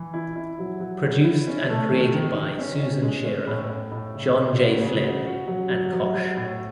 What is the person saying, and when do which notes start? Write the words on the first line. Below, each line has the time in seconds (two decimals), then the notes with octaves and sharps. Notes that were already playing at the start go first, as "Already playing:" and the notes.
Produced and created by Susan Shearer, John J. Flynn and Kosh.
Already playing: E3
0.13 E4
0.36 E4
0.59 F#3
0.80 F#3
1.03 C#4
1.25 E4
1.47 C#4
1.69 A3
1.91 D#3
2.13 D#3
2.36 D#3
2.59 C#4
2.80 C#4
3.02 G#3
3.25 C#4
3.47 A2
3.69 A2
3.91 A2
4.14 C#3
4.36 C#3
4.58 F#4
4.81 C#3
5.03 F#4
5.25 F#4
5.48 F#3
5.69 F#3
5.92 F#3
6.14 F#3
6.36 A2